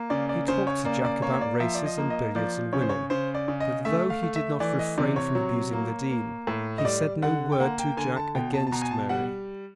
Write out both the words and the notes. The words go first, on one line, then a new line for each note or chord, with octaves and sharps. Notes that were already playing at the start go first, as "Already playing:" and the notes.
He talked to Jack about races and billiards, and women; but though he did not refrain from abusing the Dean, he said no word to Jack against Mary.
Already playing: A#3
C#3 D5
D5
C#3 C5
C#5
A#3 D5
D5
A#3 C#5
C#5
D5
F3 E5
D5
D#5
A#3
D#5
F3 D5
C#3 C#5
C5
C#5
C#3 C5
D5
C#3
D#5
A3 E5
F5
A3
E5
E3 D5
D#5
C3 D5
C#5
F#3
A#3
A#3
A2
D#5
G3 D5
D3 F#5
G5
A#3 F#5
G5
D3 G#5
A5
B2 G5
A5
A5
B2 A#5
G#5
A5
G3 F#5